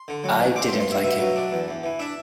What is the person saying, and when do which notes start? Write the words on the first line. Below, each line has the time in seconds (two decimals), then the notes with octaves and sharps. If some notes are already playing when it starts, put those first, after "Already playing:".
I didn't like him.
Already playing: C6
0.08 D3
0.24 F#3
0.40 E2
0.56 C4 D6
0.68 C6
0.72 G2
0.80 C6
0.88 G2 E5
1.04 B2 E5
1.20 F#3
1.36 D4
1.52 E2
1.68 E2
1.84 E3
1.99 D4 E5